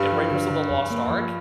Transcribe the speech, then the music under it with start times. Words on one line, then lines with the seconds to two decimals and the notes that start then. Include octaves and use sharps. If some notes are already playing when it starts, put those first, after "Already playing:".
In Raiders of the Lost Ark,
Already playing: G2 G3
0.12 F3
0.31 D3
0.51 D3
0.70 F2
0.91 A#3
1.10 F3